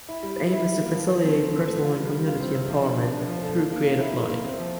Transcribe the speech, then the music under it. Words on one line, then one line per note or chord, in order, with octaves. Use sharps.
Its aim is to facilitate personal and community empowerment through creative learning.
E4
G3
E4
E4
E4
A#3
F3
F3
C4
C4
C4
A3
F4
G3
G3
F4
C4
C3
F3
D4
D4
D4
F3
A4
A#3
A#3
A#3
E4
A#3
A#3
C4
F3